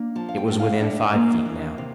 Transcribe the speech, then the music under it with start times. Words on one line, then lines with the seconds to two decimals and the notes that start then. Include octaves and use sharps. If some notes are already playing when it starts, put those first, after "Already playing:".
It was within five feet now.
Already playing: A#3 D4
0.15 F3 A5
0.29 F5
0.37 G5
0.48 A2
0.59 F5
0.81 D4 E5
1.14 A#3
1.46 E3
1.78 C3